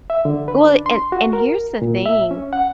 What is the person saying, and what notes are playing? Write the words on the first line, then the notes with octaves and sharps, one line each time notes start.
well, and and here's the thing,
E5
D3
B4
D4
C6
F#4
A#4
A#2
E5
C#4
F#5